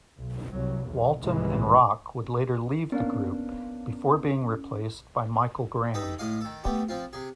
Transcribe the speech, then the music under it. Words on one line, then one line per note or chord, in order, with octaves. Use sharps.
Walton and Rock would later leave the group before being replaced by Michael Graham.
B1
C2 F#3
B1 E2
C2 G#2 C3 D#3 E3 G#3
A#3 B3 C#4 D4 F5
D#4 G4 A4 B4 D#5
A2 G#3 D#5 F5 D#6
D#3 A4
A3 B3 G4
F3 C4 F4
C3 G#4